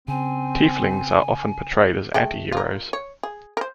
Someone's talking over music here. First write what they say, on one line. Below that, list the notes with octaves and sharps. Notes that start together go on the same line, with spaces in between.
Tieflings are often portrayed as antiheroes.
C#3 C4 G#5
G#3 A3 G5
F4 A#4
C#5
G#4
A#4 C5